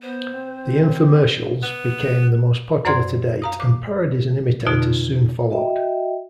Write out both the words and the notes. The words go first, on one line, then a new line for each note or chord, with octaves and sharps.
The infomercials became the most popular to date, and parodies and imitators soon followed.
B3 C5
C4
B3
F#2 C5 D5 F#5 C6 G#6
F5 A#5 D#6
D6
F2 B2 D3 D#4 F4
F#4 D#5 E5 G5